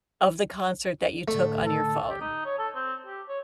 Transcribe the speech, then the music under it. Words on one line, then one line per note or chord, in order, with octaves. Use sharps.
of the concert that you took on your phone?
A2 D3 A3
A4
G4
D#4
C#5
A4
C4
G4
C#5